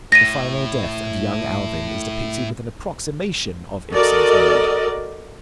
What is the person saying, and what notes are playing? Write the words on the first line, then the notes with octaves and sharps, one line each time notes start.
The final death of young Alving is depicted with an approximation of Ibsen's mood.
A2 A#6 D#7
F#4 A4 A#4 D5 D#5